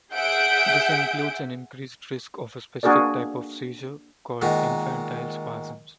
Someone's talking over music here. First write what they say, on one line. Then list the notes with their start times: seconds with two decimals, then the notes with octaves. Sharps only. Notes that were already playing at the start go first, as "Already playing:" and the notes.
This includes an increased risk of a specific type of seizure called infantile spasms.
0.14 G#4 E5 F#5 G6 D7
2.83 A#3 D4 F#4 G#4 A#4 D5
4.42 A#2 D#3 G#3 F#4